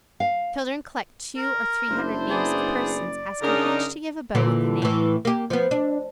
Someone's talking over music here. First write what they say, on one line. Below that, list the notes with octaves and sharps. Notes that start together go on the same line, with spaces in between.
Children collect two or three hundred names of persons, asking each to give a bow with the name.
F5
A#4
F#1 D4 E4 C5
B3 G#4 D5
F#2 C#3 D4 D#4 G#4 A#4
A#2 D3 E3
A2 E3
A#3 G4
F3 B3
D4